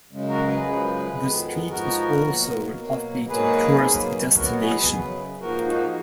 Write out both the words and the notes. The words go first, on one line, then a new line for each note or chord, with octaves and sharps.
The street is also an off-beat tourist destination.
F#2 C#3 G#3
F#4 A#4
G#4 B4
F#2 C#3 F3 G#3
F2 D#3 G#3 B3
G#2 F3 B3 F#4 A#4
B2 F#3 A#3
B2 F#3 A#3
G#2 F#3 A#3 G#4 B4
B2 F#3 A#3
B2 F#3 B3 F#4 A#4
G#4 B4
F#2 C#3 F#3
G#2 F3 A#3 F#4 A#4
D#4 F#4